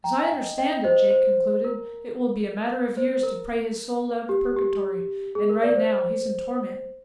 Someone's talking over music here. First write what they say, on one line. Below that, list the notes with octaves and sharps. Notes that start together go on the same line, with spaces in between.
"As I understand it," Jake concluded, "it will be a matter of years to pray his soul out of Purgatory, and right now he's in torment."
G5 A#5
G#5
D#5 G5
D#5 G5
C5 D#5
C5
A#4
C5
A#4
G4
G4
G#4
A#4
A#4 D5
C5